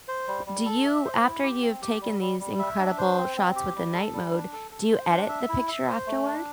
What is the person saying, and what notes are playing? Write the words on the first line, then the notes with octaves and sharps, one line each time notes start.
do you after you've taken these incredible shots with the night mode, do you edit the picture afterward?
C5
G3
G3
A4
E5
C5
E4
G4
C4
G4
G3
G3
G3
E5
D4
C5
C4
C4
G4
G3
A4
G3
D4
A4
A4
C5
D4
E5
E4
E5
C5
A3
D4